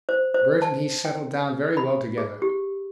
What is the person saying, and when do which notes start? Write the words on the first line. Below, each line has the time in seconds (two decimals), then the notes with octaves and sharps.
Bert and he settled down very well together.
0.09 C5
0.34 C5
0.62 A5
1.05 G5
1.77 B5
2.18 G#4
2.42 G4